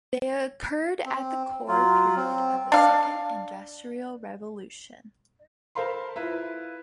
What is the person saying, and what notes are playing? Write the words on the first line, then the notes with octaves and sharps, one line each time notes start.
They occurred at the core period of the Second Industrial Revolution.
C4
F#3 F4
C4
D4 F5
A4 A#4 C5 F5 B5 C6
E4 F4 B4